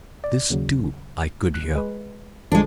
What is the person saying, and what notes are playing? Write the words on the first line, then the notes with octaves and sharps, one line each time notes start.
This, too, I could hear.
D5
D#2 C#3 F#3
F#6
G#3 B4
A1 D3 F3 G#3 D4